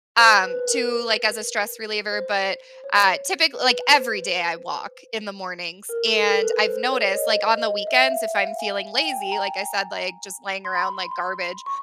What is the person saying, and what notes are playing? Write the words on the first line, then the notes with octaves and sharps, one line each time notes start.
um, too, like, as a stress reliever, but, uh, typically, like, every day I walk in the mornings and I've noticed, like, on the weekends, if I'm feeling lazy, like, I said, like, just laying around like garbage.
C5
B4
A#4
C5
C#5
B4
C5
A#4
A4
A#4
B4
C5
C#5
D#5
D#5
E5
F5
F#5
G#5
G#5
G5
G#5
A#5
C6
B5
C6
C#6